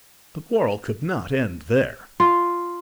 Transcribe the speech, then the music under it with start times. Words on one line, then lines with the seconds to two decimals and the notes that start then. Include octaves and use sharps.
The quarrel could not end there.
2.20 F4